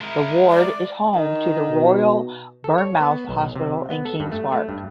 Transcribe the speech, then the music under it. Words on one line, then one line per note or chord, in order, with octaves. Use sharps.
The ward is home to the Royal Bournemouth Hospital and Kings Park.
G#3 E4 A#4
D5
D#3
B2
A4
C#5
B3
B1
C3
B3
A4
G2
A3
A3
G2